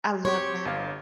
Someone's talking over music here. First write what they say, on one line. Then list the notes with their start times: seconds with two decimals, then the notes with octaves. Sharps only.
I love that.
0.25 C4 G4 C#5 C6 C#6
0.65 G1 F5 F6